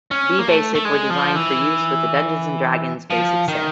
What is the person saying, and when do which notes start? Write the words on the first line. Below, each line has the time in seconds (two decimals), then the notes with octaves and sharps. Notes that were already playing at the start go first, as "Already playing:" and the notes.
B-Basic were designed for use with the "Dungeons and Dragons" Basic set.
0.11 C#4
0.39 A#3
0.48 A3
0.75 A3
0.85 G#3
1.10 F3
1.35 E3
3.10 F3
3.48 D#3